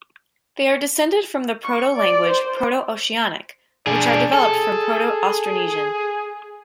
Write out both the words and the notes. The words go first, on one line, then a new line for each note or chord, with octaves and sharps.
They are descended from the protolanguage Proto-Oceanic, which are developed from Proto-Austronesian.
C#6
D5
C5
D4 G#4 D5
G#4 A4